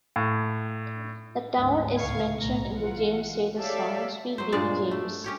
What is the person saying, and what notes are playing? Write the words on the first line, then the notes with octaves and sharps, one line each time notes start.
The town is mentioned in the James Taylor song "Sweet Baby James".
A2
D2 G#2
C#2 A2 F5 C#6 G#6
B1 A2 A#5
E3 F4 F#5
G4 A4 C#5 D5 E5 F5
F#3 C5
G2 A#2 G#3 D5
A3
C#4 G4 C#5